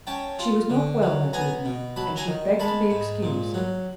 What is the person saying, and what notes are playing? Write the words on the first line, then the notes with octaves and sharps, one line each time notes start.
She was not well that evening, and she begged to be excused.
C#4 G5 A5
F4
D3
F#3
B3 G#5 A#5
B2
F#3 A5 B5
G#5 A#5
D#3
G#3 A5 B5
G#2
A#2
F#3